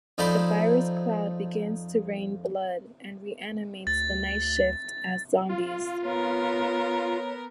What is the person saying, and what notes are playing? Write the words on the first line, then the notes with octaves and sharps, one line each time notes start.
The virus cloud begins to rain blood, and reanimates the Night Shift as zombies.
F2 D#4 A4 C5 D5 B5
D2 A6
F4
B3 A#4 C#5